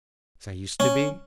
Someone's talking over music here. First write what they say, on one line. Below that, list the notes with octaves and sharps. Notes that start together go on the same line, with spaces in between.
"As I used to be?"
C#4